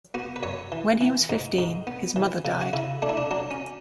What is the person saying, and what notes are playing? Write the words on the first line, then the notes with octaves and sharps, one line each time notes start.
When he was fifteen, his mother died.
B3 F#4
B4
F#2 C#5
E3
E3
G#2
G#2
B3
E3
C#3
F#4
C#3 E4
A3 D4
E4
D4
F#3 D4
C#4